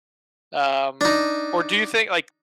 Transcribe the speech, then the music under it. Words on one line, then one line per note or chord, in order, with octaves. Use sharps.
Um, or do you think like,
D4 D#4